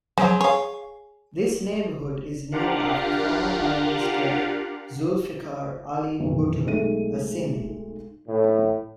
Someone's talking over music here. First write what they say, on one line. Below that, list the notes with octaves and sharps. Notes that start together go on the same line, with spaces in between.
This neighbourhood is named after former Prime Minister Zulfikar Ali Bhutto, a Sindhi.
F3 F#3 G#3
G#4 C#5 F5 C#6
D4 F4 G4 A#4 F5 F#5
F#1 B1 E2 D#3
B1 G#3 A3 D#4 D#7
A2